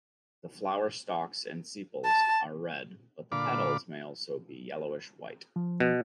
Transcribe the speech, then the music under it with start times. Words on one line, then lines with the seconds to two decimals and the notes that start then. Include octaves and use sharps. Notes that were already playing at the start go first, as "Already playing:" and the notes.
The flower stalks and sepals are red, but the petals may also be yellowish-white.
2.05 A5
3.32 A#2 D3 D5 F5 B5 D6
5.56 F3
5.80 B2